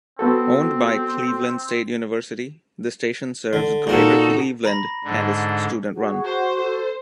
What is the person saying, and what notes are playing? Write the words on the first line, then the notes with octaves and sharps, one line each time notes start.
Owned by Cleveland State University, the station serves Greater Cleveland and is student-run.
B3 C4 F#4 A4
D3
A#2 D#4 F#4 A4 A#4
A#5 B5 A#6
G#2 D3
F#4 G#4
C5
A4